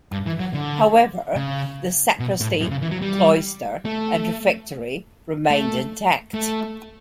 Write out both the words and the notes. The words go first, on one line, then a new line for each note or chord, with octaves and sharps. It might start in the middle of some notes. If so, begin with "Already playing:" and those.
However, the sacristy, cloister, and refectory remained intact.
G2
E3
F#3
D3
C#3
B2
A2
F#2
C#3
E3
F#3
G3
A3
A3
A3